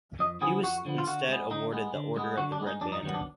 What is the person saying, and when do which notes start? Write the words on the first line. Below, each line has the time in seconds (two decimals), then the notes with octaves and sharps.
He was instead awarded the Order of the Red Banner.
0.19 F2 D#5
0.41 D3 F3 B3 G#4
0.63 F2 F#4
0.85 D3 F3 B3
0.98 F4
1.07 D3 F#4
1.28 G#3 B3
1.50 D3 D#4
1.72 G#3 B3
1.93 D3
2.16 G#3 B3
2.37 D3 F#4
2.52 D4
2.60 G#3 B3
2.67 D#4
2.81 F2 D4
2.92 D#4
3.03 D#3 F#3 B3
3.14 D4